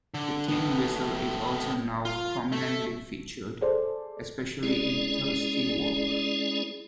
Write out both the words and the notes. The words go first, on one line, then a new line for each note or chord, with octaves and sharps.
The tin whistle is also now prominently featured, especially in Thirsty Work.
D3
A2 B3
F4
A3
G#4 A4 C5 D5
G#3 C#4 E4 G#4 D5